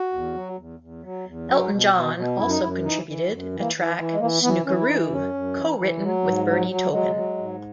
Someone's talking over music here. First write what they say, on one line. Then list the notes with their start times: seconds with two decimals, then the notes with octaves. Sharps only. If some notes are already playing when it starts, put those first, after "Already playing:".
Elton John also contributed a track, "Snookeroo", co-written with Bernie Taupin.
Already playing: F#4
0.13 E2
0.34 F#3
0.57 E2
0.80 E2
1.03 F#3
1.26 E2
1.48 F#3
1.71 B2
1.94 B2
2.16 B2
2.38 F#2 E4
2.49 D#4
2.61 F#2 E4
2.83 E3 D#4
3.07 E3
3.30 F#2
3.53 E3
3.59 A#3
3.75 E3
3.98 E3
4.13 G#3
4.19 E3 A#3
4.42 E3 B3
4.66 E3 C#4
4.78 E4
4.87 E3 D#4
5.10 F#2 C#4
5.34 F#2
5.56 E3
5.78 E3
6.01 F#3
6.24 G#2
6.47 F#3
6.70 F#3
6.91 F#3 G#3
7.15 F#3
7.37 G#2